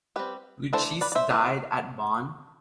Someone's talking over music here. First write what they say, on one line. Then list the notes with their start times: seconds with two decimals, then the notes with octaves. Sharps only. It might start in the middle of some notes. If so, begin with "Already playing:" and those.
Luchesi died at Bonn.
0.16 G3 C4 G4 B4
0.73 E3 A3 D4 A4 C5
1.01 B4 D5
1.12 D5
1.15 C5 E5
1.30 E3 A3 C4